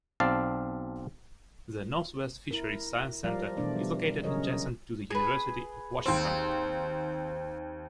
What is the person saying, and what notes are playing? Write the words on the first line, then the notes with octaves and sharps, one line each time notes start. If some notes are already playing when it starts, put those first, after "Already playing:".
The Northwest Fisheries Science Center is located adjacent to the University of Washington.
B1 C4 D5 F5 A5
E4 A#4
F3 G3 A#4 D5 F5
B2 E3 A3 D4 D5
G3
C#3 F#3 G#4 A#4 C#5 D#5
G#4 B4
D#2 C4 C6